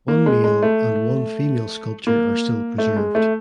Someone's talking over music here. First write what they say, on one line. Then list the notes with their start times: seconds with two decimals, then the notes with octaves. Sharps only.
One male and one female sculpture are still preserved.
0.08 A#3
0.26 G#3
0.44 G#3
0.63 A3
2.07 A#3
2.78 A3
2.97 G#3
3.15 A3